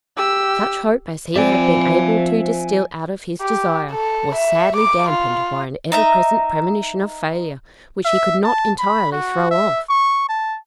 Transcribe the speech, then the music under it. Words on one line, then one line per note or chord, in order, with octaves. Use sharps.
Such hope as he had been able to distil out of his desire was sadly dampened by an ever-present premonition of failure, which he could not entirely throw off.
G4 E6
F3 C4 D5 E5 G#5
G4
A4
E5
D6
F4
D#4 E5 A#5
E5
A5
B5
F#4
E5
C#6
A5